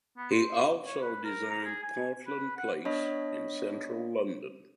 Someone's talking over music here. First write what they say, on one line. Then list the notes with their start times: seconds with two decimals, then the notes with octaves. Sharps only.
He also designed Portland Place in central London.
0.17 B3
0.31 C5
0.85 C#5
1.02 B4
1.24 A#4
1.50 A#5
1.65 G#4
1.83 G#5
2.27 B4
2.57 F#5
2.85 B3 D4 C#5 D#5 B5 B6